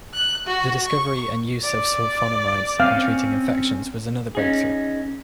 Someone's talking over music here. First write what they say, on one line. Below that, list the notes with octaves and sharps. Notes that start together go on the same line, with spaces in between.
The discovery and use of sulfonamides in treating infections was another breakthrough.
F#6
F#4
C#6
D5
C4 C#4 F5
C#4 D#4 G#4